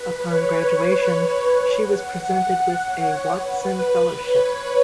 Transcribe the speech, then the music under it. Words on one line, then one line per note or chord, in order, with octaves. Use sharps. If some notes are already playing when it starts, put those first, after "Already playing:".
Upon graduation, she was presented with a Watson Fellowship.
Already playing: B4
C#5
G#5
F#5
F#5
C#5
B4
B4
C#5